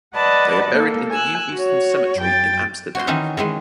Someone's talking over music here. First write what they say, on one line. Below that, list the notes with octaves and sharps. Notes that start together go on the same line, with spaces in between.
They are buried in the New Eastern Cemetery in Amsterdam.
B4 D5 D#5 F#5 A5 B5
A#3 A4
G#5 E6 F#6
F#4 C#5
F#2 G5 A6
F#4 C6
D#3 E3 C#4 D#4 E4
D#3 E3 G#3